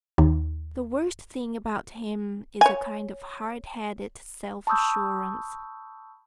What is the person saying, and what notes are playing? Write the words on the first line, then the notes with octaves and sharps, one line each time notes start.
The worst thing about him is a kind of hard-headed self-assurance.
D#2
C#5 G#5
A5 B5 C#6 D#6 E6 G6